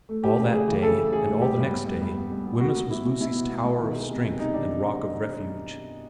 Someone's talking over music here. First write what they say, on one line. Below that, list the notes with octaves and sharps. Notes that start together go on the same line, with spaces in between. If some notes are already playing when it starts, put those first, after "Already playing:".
All that day and all the next day Wemyss was Lucy's tower of strength and rock of refuge.
A3
A3 G4
C#3
A3 G#4
E3
C#3 A4
A3
C#3 G#4
A3
G3 G4
G2
B3
G2
G2
B3
G2
B3
B3 F#4
B3
B3 E4
B2
B2 E4
B3
B3
B2
D#3
G#3
C3
G#3
C3 D#4
D#3 D4